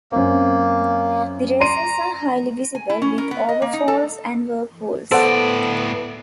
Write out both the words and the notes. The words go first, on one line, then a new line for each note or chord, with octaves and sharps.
The races are highly visible, with over-falls and whirlpools.
F#2 A#3 C4
D5 A#5 C6 D#7
G#5
E4
C#4
A#4
B3
D#5
A#3
D#4
A4
A2 B3 A4 C5 D5 F#5